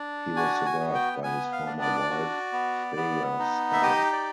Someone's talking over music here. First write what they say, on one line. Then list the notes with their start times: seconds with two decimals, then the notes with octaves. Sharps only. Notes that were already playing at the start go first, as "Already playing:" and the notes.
He was survived by his former wife, Freya Stark.
Already playing: D4
0.36 F#4 G#5
0.66 G#5
0.80 B3
0.95 G5
1.23 B3 G#5
1.52 F5
1.66 D4
1.82 D5
2.10 F#4
2.53 B3
2.96 B3
3.39 D#4
3.73 E5
3.82 G4 D#5
4.12 D5